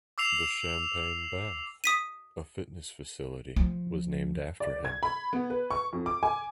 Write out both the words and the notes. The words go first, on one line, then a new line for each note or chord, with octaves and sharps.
The Champagne Bath, a fitness facility, was named after him.
D6 E6 C7 F7
D#6 B6 D#7
F3
D5
G#6
B5
B3
B4
C#6
F2
D6
G#5